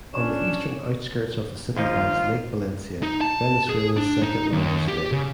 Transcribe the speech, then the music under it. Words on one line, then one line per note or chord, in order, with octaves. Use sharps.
On the eastern outskirts of the city lies Lake Valencia, Venezuela's second-largest lake.
C#4 D4 C#5 E7
D#2 F3 D#4 F4
D#4
A5
G#4
D4
D#4
D#2
G4
C#3